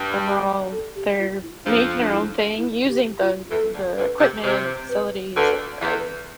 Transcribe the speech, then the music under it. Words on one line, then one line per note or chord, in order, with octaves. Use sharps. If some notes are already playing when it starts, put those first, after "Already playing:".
And we're all they're making their own thing, using the the equipment and facilities and, um
Already playing: G2 G3
G4
A4
G4
F4
E4
F2 F3 D4
D4
E4
E4
G4
F4
E2 E3 A4
D2 D3
D2 D3 B4
C3
C3 C5
B4
D2 D3 B4
E2 E3 B4
A4
B4